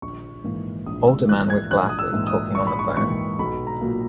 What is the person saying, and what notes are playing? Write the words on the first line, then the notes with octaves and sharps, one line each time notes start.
Older man with glasses talking on the phone.
A#1 C#6
G#2 E3 A#3
A#1 D#6
E6
G#2 E3 A#3 F#6
G#6
A#1 F#6
D#6
E6
G#2 E3 A#3
D#6
A#1 C#6
B5
C#6
G#2 E3 A#3 C#6
B1 B5
A#5
A#2 F#3 A#3